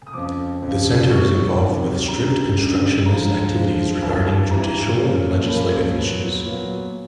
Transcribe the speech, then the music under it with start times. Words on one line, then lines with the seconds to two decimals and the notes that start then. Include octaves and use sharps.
The Center is involved with "strict constructionist" activities regarding judicial and legislative issues.
0.07 D#6
0.13 F2 C#3 F3 D6
0.62 F2 C#3 F3
1.11 C3 D#3 F#3 C#6
1.59 C3 D#3 F#3
2.08 F#2 D3 G3 A#5
2.56 F#2 D3 G3
3.05 D3 F3 G#3 A#5
3.54 D3 F3 G#3
4.02 G2 E3 G3 A5
4.27 A5
4.51 G2 E3 G3 A#5
5.00 A#2 F3 A#3 C#4
5.48 A#2 F3 A#3 C#4 B5
5.97 A#2 F#3 B3
6.46 A#2 F#3 B3